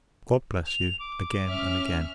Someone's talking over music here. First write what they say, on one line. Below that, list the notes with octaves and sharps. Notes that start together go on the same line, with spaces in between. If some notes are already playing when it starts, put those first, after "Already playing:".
God bless you, again and again!
F7
D6
C#4 E5 F6